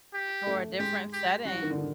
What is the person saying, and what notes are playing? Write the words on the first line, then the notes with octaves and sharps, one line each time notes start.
Or a different setting,
G4
A3
G#3 G4
G4
G3 F#4
E3
D#3
D3
D#3